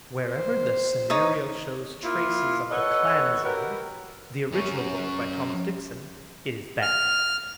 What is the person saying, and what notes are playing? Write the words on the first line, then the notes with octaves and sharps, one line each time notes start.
Wherever the scenario shows traces of The Clansman, the original book, by Thomas Dixon, it is bad.
C5
D#4 C#5 D#6
A#3 E4 F4
A4 B4 C#5 D#5 F#5
F#4 G4 A#4 B4
F#2 C#4
F6